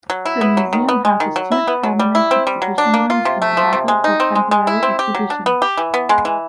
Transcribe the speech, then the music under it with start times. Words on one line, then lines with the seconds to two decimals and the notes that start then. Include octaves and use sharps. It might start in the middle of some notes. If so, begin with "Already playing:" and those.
The museum houses two permanent exhibition rooms and another for temporary exhibitions.
0.10 F#3
0.25 E4
0.41 B3
0.57 F#3
0.73 D#3
0.89 B3
1.05 G#3
1.20 D#3
1.36 F#3
1.52 E4
1.68 B3
1.83 F#3
1.99 G3
2.15 E4
2.31 C4
2.47 G3
2.62 F#3
2.78 D4
2.94 A#3
3.10 F4
3.25 C3
3.42 A3
3.57 F3
3.73 C3
3.88 G#3
4.04 D#4
4.20 C4
4.35 G#3
4.51 G#3
4.67 E4
4.83 C4
4.99 G4
5.15 F#3
5.30 D4
5.46 B3
5.62 G4
5.77 E3
5.94 B3
6.09 G#3
6.25 E3